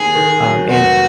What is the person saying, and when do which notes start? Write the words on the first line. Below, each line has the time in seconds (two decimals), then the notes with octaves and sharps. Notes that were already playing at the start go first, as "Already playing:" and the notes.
Um, and
Already playing: D#2 G#4
0.15 D#3
0.42 F#3
0.70 F1 F#4